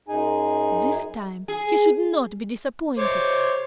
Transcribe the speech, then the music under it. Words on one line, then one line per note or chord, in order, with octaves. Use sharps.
This time he should not be disappointed.
F#2 D#4 G#4 G#5
G#4
C5 C#5 D6